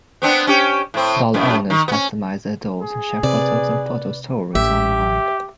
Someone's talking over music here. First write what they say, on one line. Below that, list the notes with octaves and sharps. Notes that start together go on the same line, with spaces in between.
Doll owners customize their dolls and share photos and photo stories online.
B3 C4 D4
C#4 G4
A2 C4
F#2 A2
D#3
B3 C#4
G#4
C3 B4 D5
A1 G4 E5